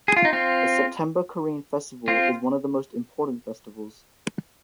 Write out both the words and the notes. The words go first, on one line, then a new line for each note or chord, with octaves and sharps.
The September Korean Festival is one of the most important festivals.
G#4
F4
D#4
C4 F4
C4 F4